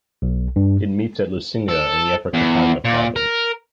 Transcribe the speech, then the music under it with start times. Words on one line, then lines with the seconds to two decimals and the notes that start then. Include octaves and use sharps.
It meets at Lusinga in the Upper Katanga province.
0.22 B1
0.56 G2
1.68 A4
2.34 E2
2.85 A#2
3.16 A#4